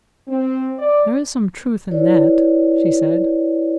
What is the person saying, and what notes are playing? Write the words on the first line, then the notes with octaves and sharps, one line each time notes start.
"There is some truth in that," she said.
C4
D5
E4 F#4 B4 C#5 D5